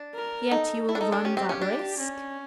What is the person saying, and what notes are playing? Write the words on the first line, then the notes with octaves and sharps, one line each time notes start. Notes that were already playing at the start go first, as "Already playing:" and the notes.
"Yet you will run that risk?"
Already playing: D4
A#4
D#4 A4
E4 A4
D4
D#4
D4
C#4 G4
C4
C#4
D4
C#4